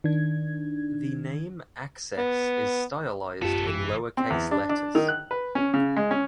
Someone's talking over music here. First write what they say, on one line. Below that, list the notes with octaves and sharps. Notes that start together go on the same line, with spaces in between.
The name "access" is stylized in lowercase letters.
D#3 D4 G#6
B3
A1 F#2 B3 C#4 F4 G4 A4
E3
C4
E2
D4
D4
D#3
F#6
B4
C#4
C#3
G#3
C#4